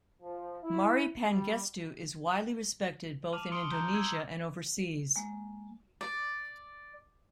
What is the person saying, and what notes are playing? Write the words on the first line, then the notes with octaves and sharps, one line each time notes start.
Mari Pangestu is widely respected both in Indonesia and overseas.
F3
E4
G3
A5 D6 F6 D#7 F7 F#7
C6 D#6 C#7 D7 G7
A#5 G6
E6 G#6 C#7
G#3 A#3
D5